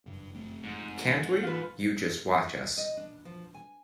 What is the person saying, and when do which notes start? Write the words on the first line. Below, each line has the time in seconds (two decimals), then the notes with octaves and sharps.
Can't we? You just watch us.
0.06 F#1 G2
0.34 F2 A3 C4
0.64 G#2
1.43 E3 F4 B4
2.77 D#5
2.97 D4
3.25 F3
3.54 G#5